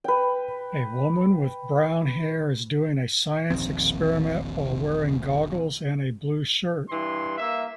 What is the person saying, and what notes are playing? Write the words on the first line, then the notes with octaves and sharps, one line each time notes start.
A woman with brown hair is doing a science experiment while wearing goggles and a blue shirt.
B4 G5
E1 A#1 D#3 C4
G2 E3 C6
A#3 E5